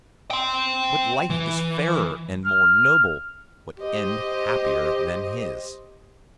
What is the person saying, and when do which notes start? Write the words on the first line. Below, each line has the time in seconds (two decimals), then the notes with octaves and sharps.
What life is fairer and more noble, what end happier than his?
0.31 G5 C6
1.30 E3
2.45 F6
3.79 G4 C5 D#5